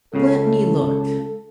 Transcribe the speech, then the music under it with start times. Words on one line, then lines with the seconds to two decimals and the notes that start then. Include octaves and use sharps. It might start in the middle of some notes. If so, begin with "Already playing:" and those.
"Let me look."
0.14 C#2 C#3 A4